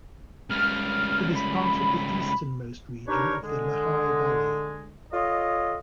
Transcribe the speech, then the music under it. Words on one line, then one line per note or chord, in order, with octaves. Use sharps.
It is part of the easternmost region of the Lehigh Valley.
C#2 G3 F6
B5
D4 D#4 G4 A#4 B4 C#5
D3 G#3
F4 A4 C#5 D#5